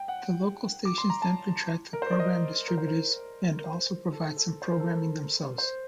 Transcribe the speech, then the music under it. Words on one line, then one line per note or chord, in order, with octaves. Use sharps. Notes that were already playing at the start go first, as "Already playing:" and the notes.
The local stations then contract with program distributors and also provide some programming themselves.
Already playing: G5
F#5
D6
C6
A#5
A5
A#4
C5
D5
D#5
A#4
C5
A#4
A#4
C5
A4
A4
C5
A#4
A4
A#4
C5